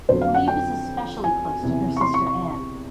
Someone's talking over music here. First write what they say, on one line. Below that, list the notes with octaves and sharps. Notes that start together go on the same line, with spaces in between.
Lee was especially close to her sister Anne.
F2 D3 F#3 B3 C5
F5
F#5
G5
G#5
E2 C3 E3
C#6
C6
C#6
C#6